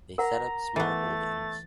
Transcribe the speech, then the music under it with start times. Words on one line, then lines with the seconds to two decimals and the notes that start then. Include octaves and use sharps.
They set up smallholdings.
0.18 A#4 F#5 A#5
0.76 E3 A3 B3 A6